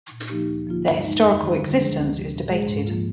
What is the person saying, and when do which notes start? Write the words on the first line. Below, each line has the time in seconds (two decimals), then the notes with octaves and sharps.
Their historical existence is debated.
0.11 A#2
0.29 F3 A#3 D#4 G4
0.48 D2
0.66 D3 F3 A#3 F4
0.84 G2
1.03 F3 G#3 D#4
1.21 F2
1.40 D#3 G3
1.58 D3
1.76 F3 G#3 D4 G#4
1.94 D2
2.13 C3 F3
2.31 A#2
2.49 G#3 D4 G#4
2.67 G#2
2.86 F3 A#3 F4